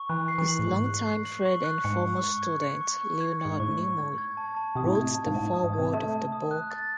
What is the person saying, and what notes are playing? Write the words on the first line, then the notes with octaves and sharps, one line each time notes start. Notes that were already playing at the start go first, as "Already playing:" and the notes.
His longtime friend and former student, Leonard Nimoy, wrote the foreword for the book.
Already playing: C#6
E3 F#6
C7
E3
F#7
A2
G#2 C#6
F#6
C7
F#7
C#6
F#6
G#2 C#7
C#6
C#6
G#6
C#7
C#6
C#6
G#6
C#7
G#2
A2 C#6
C#6
G#6
G#6
A5
A5
C3 D#6
A2
C3 G#6
A5
G#2
A2 A5
D#6
G#2
C3 G#6
A3 A5
A5
D#6
F#6
A6